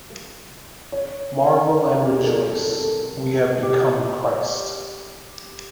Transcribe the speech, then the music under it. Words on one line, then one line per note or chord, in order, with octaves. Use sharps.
Marvel and rejoice: we have become Christ.
C#5
G4
G#4
A4
A#4
A4
A4
G4